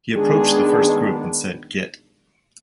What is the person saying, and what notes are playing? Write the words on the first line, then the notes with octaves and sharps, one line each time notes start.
He approached the first group and said, Git.
D#3 G#3 B3 D4 G#4